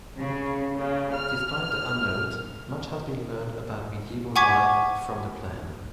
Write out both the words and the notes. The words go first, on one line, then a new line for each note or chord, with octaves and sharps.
Despite the unknowns, much has been learned about medieval life from the Plan.
C#3
C#3
F6
F#5 G#5 C#6 D6 G#6 B6